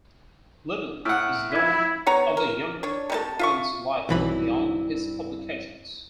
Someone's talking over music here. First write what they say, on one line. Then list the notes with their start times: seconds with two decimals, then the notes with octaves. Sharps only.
Little is known of the younger Kirkman's life beyond his publications.
1.05 A2 F#5 E6 F6 D7
1.52 E4 G#6 B6
2.07 B3 C#5 A#5
2.37 A#4
2.83 D4 C#5
3.10 C3 D#4 A5
3.39 F4 E5 C#6
4.09 B1 G2 E3 C4 E4 B5